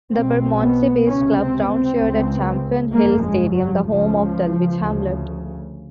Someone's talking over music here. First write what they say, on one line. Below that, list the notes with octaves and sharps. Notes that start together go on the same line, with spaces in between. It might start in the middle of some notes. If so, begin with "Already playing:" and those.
The Bermondsey-based club ground-shared at Champion Hill Stadium, the home of Dulwich Hamlet.
B1 B2 C4
B3
C#2 C3 C#4
C4
C4
C#2 C#3
G1 F2 C#3 A#3
G#3
F#3
C#2 C#3 F3
D2 C#3